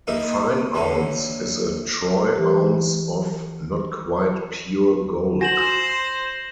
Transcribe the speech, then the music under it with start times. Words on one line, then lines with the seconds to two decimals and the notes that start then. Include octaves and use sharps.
A fine ounce is a Troy ounce of not quite pure gold.
0.07 A#3 D#4 E4
0.74 A2 D3 E3 A#3
2.36 E3 G4
5.41 F#4 C5 G#5 A#6 E7 F#7